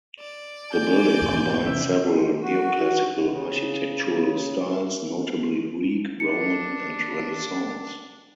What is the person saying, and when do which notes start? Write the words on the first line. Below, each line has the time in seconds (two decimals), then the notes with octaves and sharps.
The building combines several neoclassical architectural styles, notably Greek, Roman and Renaissance.
0.20 D5
0.72 G#5 G6
1.22 E2 G#2 B2
1.65 C3 E3 C#4 E5
2.12 G#3
2.43 F#4
3.33 C#3
6.20 D4 C#7